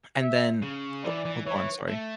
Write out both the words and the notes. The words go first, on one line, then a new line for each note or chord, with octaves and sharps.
And then, o oh, go on, sorry.
E5
C#3
E3 D5
E3
E3 C#5
A3